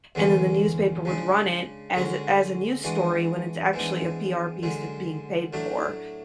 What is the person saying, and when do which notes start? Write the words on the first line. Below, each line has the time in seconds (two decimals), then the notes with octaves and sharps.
and then the newspaper would run it as a as a news story when it's actually a PR piece that's being paid for.
0.15 E2 D3 G#3 C#4
1.05 C#3 G#3 D4
1.95 D3 G#3 C#4 F#4
2.84 E3 G#3 D4 F#4
3.73 G#2 E3 G#3 B3 D4
4.63 F#2 D3 G#3
5.53 A2 F#3 A3 D4